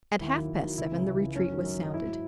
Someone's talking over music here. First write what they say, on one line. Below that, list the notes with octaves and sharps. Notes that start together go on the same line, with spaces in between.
At half past seven the retreat was sounded.
D#2 E4
D#3 F#3
D#2
D#3 F#3
C#2 E4
C#3
E3
C#2
C#3 E3
F#2 C#4
D#3 F#3
F#2
D#3 F#3 D#4
G#2 E4
F#3